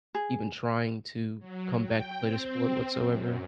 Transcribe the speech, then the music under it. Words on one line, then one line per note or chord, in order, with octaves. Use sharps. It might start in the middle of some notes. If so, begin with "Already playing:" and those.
even trying to come back to play the sport whatsoever
G#4
F#3
G5
C4
F#2